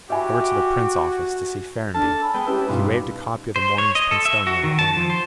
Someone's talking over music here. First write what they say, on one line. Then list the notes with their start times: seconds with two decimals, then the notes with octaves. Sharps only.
"Over to the Prince office to see Ferrenby," he waved a copy of the morning's Princetonian at Amory.
0.10 F#4 G4 E5 G#5 B5
1.94 D4 A4 A5 F6
2.21 G#5 B5 E6
2.34 G#3 B3 G5
2.47 C#4 E4 G4 B4
2.68 G2 B2 D#4 F4 C6
3.56 C5
3.78 C#5
3.95 D#5
4.11 A4
4.25 E5
4.47 F#4
4.63 D#3
4.79 A5
4.97 F3
5.10 C5